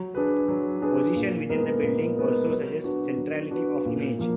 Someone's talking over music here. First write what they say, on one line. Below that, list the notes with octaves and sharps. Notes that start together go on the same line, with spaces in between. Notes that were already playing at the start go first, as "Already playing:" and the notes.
Position within the building also suggests centrality of image.
Already playing: F#3
D4 G#4 B4
F#3
D4 G#4 B4
A#2
G#3 B3 D#4 A#4
A#2
G#3 B3 D#4 A#4
F#3
D4 F#4 B4
F#3
D4 F#4 B4
A#2
F3 A#3